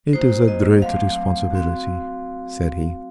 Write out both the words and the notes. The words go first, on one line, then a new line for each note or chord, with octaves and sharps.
"It is a great responsibility," said he.
A#3 D#4 F#4 C5
D#5
F#3 A3 C4 F5
C4 F#4